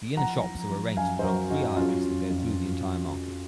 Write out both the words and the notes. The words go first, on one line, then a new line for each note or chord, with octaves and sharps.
The inner shops are arranged along three aisles that go through the entire market.
F3 F#5 A#5
F3
F3
F#2 F5 G#5
C5
F#2 F#4 A#4
F#2 D#4 F#4
F#3 C#4 F4
F2
F2